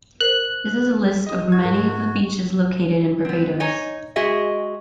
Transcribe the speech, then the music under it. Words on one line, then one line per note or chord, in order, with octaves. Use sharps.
This is a list of many of the beaches located in Barbados.
A#4 C5 F#6
D#5 D#6
F#4 G#6
G#2 G#3 A#4
B3 C4
D#4 C#5 D#5 G#5
G#3 F#4 G#4 D#5 E5